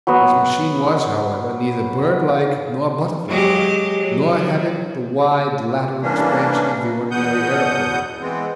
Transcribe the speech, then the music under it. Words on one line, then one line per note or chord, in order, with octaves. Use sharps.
His machine was, however neither bird-like nor butterfly-like, nor had it the wide, lateral expansion of the ordinary aeroplane.
F#3 B3 E6
F#3 G#3 G4
F#3
A2 E3 G3 A#3 C#4 D4
E2 B2 F#5 D#6 G6
E3 G#3 B3 C4